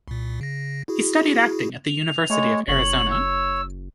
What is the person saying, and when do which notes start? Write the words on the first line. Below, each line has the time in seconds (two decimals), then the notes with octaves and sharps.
He studied acting at the University of Arizona.
0.08 C2 A#2
0.41 C#3 A#6
0.88 E4 F#4 G#4
1.89 F7
2.30 G#3 A3 C#5
2.68 F#1 C#5 F#7
3.11 E6